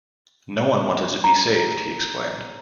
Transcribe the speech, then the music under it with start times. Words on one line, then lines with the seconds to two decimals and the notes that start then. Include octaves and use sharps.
"No one wanted to be saved," he explained.
1.24 A#5